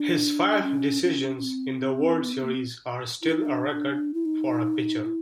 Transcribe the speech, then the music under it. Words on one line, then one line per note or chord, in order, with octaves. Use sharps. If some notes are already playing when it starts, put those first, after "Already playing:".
His five decisions in the World Series are still a record for a pitcher.
Already playing: D4
C#4
C#4
C#4
C4
B3
C4
A#3
C4
E4
D#4
D4
E4
D#4
E4